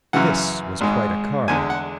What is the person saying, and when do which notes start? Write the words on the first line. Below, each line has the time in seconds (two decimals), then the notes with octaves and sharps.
This was quite a card.
0.13 F#2 C#3 E3 F#5
0.81 G#1 G#2 G#3
1.48 E2 D3 G#3 G#5
1.70 F#5